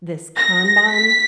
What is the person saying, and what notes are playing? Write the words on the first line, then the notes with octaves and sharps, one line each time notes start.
this Kanban,
A#6
B6